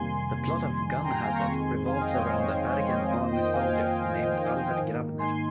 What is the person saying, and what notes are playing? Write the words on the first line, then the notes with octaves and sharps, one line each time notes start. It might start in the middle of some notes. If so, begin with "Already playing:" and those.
The plot of "Gun Hazard" revolves around a Bergen Army soldier named Albert Grabner.
Already playing: F2 C3 D#3 G3 A#3 G#5 C6
C6
G5 A#5
F5 G#5
G5 A#5
A#5 C#6
F2 D#3 G#3 C4 G#5 C6
F5 G#5
D#5 G5
C#5
C5
C#5
F2 D#3 A#3 F4 C5 D#5
C5 D#5
D#5 G5
F5 G#5
G#2 D#3 A#3 D#4
G#5 C6